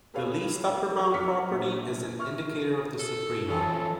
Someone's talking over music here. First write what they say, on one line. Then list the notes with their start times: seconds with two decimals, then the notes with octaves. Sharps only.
The least-upper-bound property is an indicator of the suprema.
0.14 G4 A4 B4 C#5 F5
1.14 D6 E6 F6 B6 C#7
1.48 A#1 C5
2.18 E5 C#6 F6
2.99 A4
3.50 E3 F3 C#4 A4 A5